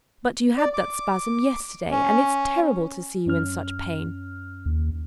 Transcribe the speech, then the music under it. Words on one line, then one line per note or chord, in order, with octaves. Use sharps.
'But you had that spasm yesterday, and it is terrible to see you in such pain.
D5
D6
C#4
F#2 C#4 F6
D#2